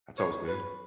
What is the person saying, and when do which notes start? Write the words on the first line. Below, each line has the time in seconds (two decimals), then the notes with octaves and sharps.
That's always good.
0.18 C#5
0.47 B4